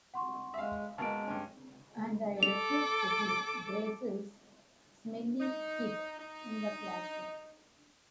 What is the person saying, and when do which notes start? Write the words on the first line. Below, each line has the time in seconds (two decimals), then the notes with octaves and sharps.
And I refuse to be Brazil's smelly kid in the classroom.
0.14 F#5 C6 C#6
0.54 G#3 E5 F5
0.98 F#2 B2 G#3 A#3 A5 D7
1.27 G2 C#4
2.43 A4 D6 F7
5.40 D#4
6.19 D#4